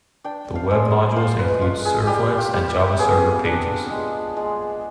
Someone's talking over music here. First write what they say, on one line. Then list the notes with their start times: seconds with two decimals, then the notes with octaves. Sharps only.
The Web modules include servlets and JavaServer Pages.
0.24 D4 G5
0.55 F5
0.71 G#3
0.86 D5
1.16 F4 C5
1.39 B4
1.62 F4
1.85 G#4
2.07 G3 G4
2.38 F4
2.53 G3
2.69 G4
2.99 B3 G#4
3.45 D4
3.90 G#3
4.37 G#3